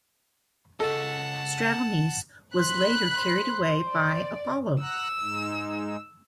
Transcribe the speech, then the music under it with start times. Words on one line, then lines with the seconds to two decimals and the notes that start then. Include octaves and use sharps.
Stratonice was later carried away by Apollo.
0.80 C#3 A4 D#5 F#5 A5
2.55 C5 B5 F#6
3.13 C5
3.90 D5
4.81 F#5 A#5 E6 F#6
5.21 G#2 G#3 D#4